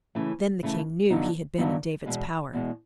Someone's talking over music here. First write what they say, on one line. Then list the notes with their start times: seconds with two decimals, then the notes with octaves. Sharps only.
Then the king knew he had been in David's power.
0.15 C#3 E3 A3 C#4
0.63 C#3 E3 A3 C#4
1.11 G2 D3 F#3 B3 D#4
1.58 G2 D3 F#3 B3 D#4
2.06 E2 B2 G#3
2.53 E2 B2 G#3